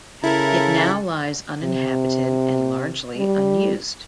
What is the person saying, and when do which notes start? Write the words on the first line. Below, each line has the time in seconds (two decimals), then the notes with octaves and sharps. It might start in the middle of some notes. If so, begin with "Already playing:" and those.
It now lies uninhabited and largely unused.
0.24 C#3 E4 A4 A#4
1.63 C3
3.17 G3